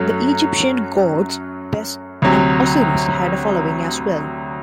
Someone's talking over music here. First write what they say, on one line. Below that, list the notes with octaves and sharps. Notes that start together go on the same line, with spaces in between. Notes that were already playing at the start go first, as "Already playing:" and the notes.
The Egyptian gods Bes and Osiris had a following as well.
Already playing: F#2 F#3 A3
D2 C3 F#3